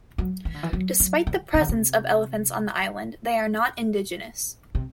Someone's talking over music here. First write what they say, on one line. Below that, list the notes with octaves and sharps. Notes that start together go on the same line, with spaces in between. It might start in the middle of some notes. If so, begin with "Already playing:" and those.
Despite the presence of elephants on the island, they are not indigenous.
F#3
E3
D3
E3
F#3
F#3
D3
C3
D3
C3
C3